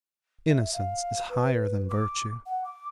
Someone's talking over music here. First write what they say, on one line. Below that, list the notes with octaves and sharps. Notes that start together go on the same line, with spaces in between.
Innocence is higher than virtue.
E5
F5
B4
D6
F#5
D6